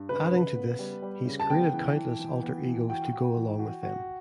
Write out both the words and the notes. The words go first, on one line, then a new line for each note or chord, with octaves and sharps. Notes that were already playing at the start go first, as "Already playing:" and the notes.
Adding to this, he's created countless alter egos to go along with them.
Already playing: G2
C#3 B4
C#3
B3
G3
G3
C#3
A5
B3 G5
E3
E3
E3
B3
E3
F#4 G5
F#4
E3
F#4
F#4